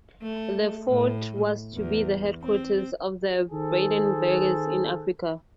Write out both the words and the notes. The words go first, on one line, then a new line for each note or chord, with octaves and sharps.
The fort was to be the headquarters of the Brandenburgers in Africa.
A3
A2
E2
C4
D#3 G#4 A4 C5